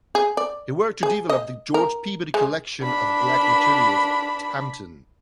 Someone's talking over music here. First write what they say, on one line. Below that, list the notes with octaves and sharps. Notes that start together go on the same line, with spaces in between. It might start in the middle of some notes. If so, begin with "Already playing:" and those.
He worked to develop the George Peabody Collection of Black materials at Hampton.
G#4
D5
G#4
D#5
A#4
G#3
D4 B5